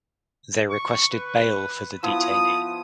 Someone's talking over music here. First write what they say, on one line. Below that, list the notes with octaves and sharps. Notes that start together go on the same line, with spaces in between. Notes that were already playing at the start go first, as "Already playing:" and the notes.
They requested bail for the detainee.
C#6
B4
F3 B3 E4 D#6